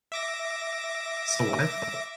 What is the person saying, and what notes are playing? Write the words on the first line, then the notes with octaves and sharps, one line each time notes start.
So I thought.
E5 D6 A#6